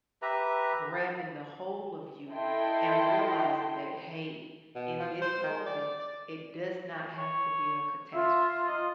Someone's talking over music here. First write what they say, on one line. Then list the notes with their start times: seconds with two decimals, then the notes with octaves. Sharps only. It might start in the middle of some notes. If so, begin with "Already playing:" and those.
grabbin' the whole of you and realizin' that, "Hey, in this moment, it does not have to be a catastrophe."
0.22 G4 B4 E5 A#5
2.30 E4 A4 D#5 G5 A5 C6
4.75 B2
5.00 F3
5.22 C5
5.43 D#3
5.66 D5
5.99 D5
7.18 C#5
8.14 F4 E5
8.68 D#5